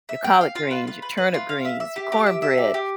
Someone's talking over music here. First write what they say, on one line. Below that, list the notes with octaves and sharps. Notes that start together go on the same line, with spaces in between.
your collard greens, your turnip greens, your cornbread,
E5
G5
F5
F4
B4
F4
B4
B4
F4
F5
E5
E5
G4
G4
E5
E5
G4
G4